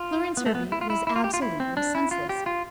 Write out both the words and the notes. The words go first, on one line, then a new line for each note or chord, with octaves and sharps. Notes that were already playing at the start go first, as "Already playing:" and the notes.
Clarence Hervey was absolutely senseless.
Already playing: F4
B3
A3
B3
E4
F4
E4
E4
F4
G4
F4
E4
C4
D4
E4
F4
G4
F4